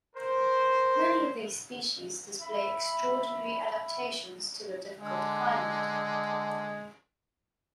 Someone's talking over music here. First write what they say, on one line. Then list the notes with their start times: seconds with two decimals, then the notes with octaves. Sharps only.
Many of these species display extraordinary adaptations to the difficult climate.
0.16 A#4 C5
2.40 E5 B5
4.96 D3 G#3